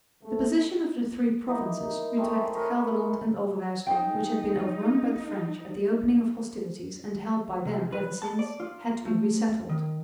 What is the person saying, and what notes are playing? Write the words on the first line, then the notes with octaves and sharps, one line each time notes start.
The position of the three provinces, Utrecht, Gelderland and Overyssel, which had been overrun by the French at the opening of hostilities and held by them ever since, had to be re-settled.
A3
A#3 D#4 E4
A3 C4 G#4
A#4 B4 C#5
D#4 G#4 G5
C3
B4
A5
D5
F4
A3
D#3